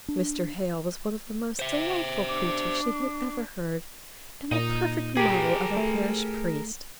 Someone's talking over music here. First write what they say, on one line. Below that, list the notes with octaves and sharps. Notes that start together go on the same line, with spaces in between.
Mr. Hale was one of the most delightful preachers she had ever heard, and a perfect model of a parish priest.
D4
C5 E5
D4 D6
A#2 D#4 D#5
G4 G#4 A#4
A3